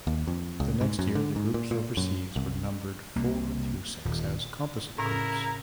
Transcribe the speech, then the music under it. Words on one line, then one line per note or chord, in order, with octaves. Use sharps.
The next year the groups overseas were numbered four through six as "composite" groups.
D#2
F2
C#2
G#2
F#2
D3
G#2
A#2
A#2
F#2
C2
C2 A#3
D#1
A2 C#3 E4 A#4 A#5